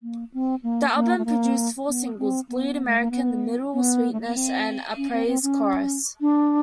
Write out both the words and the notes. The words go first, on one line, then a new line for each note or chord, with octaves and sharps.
The album produced four singles: "Bleed American", "The Middle", "Sweetness", and "A Praise Chorus".
A#3
C4
A#3
A#3
A3
A#3
B3
C4
B3
A3
A#3
B3
B3
A3
A#3
B3
C4
C#4
C4
C4
C#4
D4